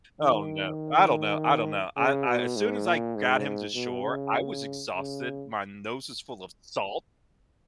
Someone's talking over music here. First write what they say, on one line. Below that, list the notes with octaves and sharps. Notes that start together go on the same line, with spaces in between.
Oh, no. I don't know, I don't know, I uh, as soon as I got him to shore, I was exhausted, my nose is full of salt,
D#3
C#3
B2
G#2
A#2
G#2
B2
C#3
C#3